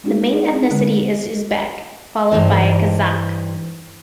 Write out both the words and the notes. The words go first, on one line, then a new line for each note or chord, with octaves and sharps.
The main ethnicity is Uzbek, followed by Kazakh.
G#3 C#4 D#4 F#4 G#4
G#4 D5
C4 C#4 D#4 E4 G#4
D3 G#3 B3
G2 E3 D#4 C5